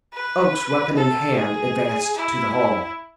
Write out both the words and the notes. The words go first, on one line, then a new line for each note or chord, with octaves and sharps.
Oakes, weapon in hand, advanced to the hall.
B4
A4
G#4
E4